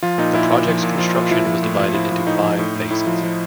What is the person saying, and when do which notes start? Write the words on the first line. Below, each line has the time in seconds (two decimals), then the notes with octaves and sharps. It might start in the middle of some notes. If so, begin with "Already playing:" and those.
The project's construction was divided into five phases.
0.03 F3 F4
0.18 A#2 D#4
0.35 A#2 E4
0.51 A#2
0.67 F3
0.83 A#2
0.98 F3 F4
1.15 A#2
1.31 F3 E4
1.46 F3
1.63 A2
1.79 F3
1.94 F3 E4
2.11 F3
2.26 A2 D#4
2.43 F3
2.59 A2
2.75 A2
2.90 A2 E4
3.07 F3
3.23 F3